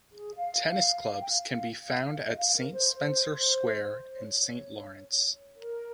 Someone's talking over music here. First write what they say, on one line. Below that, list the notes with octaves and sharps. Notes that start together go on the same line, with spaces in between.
Tennis clubs can be found at Spencer Square and Saint Laurence.
G#4
F5
G5
F5
F5
F5
F5
D#5
F5
A#4
C5
C#5
A#4